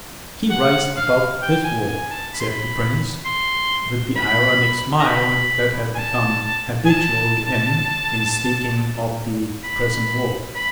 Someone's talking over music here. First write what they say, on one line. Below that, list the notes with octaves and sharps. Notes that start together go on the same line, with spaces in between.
"He writes about this war," said the prince, with the ironic smile that had become habitual to him in speaking of the present war.
F#5
F5
G5
G#5
G#5
A5
B5
C6
B5
C6
B5
A#5
B5
G#5
A5
G#5
A5
B5
B5